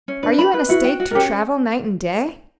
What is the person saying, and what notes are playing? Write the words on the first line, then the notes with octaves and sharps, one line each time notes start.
Are you in a state to travel night and day?
C#4
D4 B4
B5
B4
E4 F#4
G5
F#4
A#4
C#4 G4